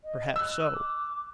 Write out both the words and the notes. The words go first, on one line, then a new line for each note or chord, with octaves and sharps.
Perhaps so.
D#5
E6 F#6
D6